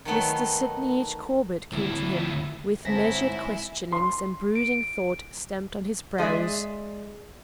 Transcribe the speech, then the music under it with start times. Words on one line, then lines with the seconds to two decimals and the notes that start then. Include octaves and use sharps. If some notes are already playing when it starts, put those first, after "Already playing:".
Mr. Sydney H. Corbett came to him with measured questionings and brooding thought stamped on his brows.
0.05 D#3 F#3 A3 B3
1.73 D2 E4
2.85 G1 G#2 C4 E4 E5 A5 A#6 B6
3.92 C6
4.55 D7
6.18 G#3 G#4 D5 E5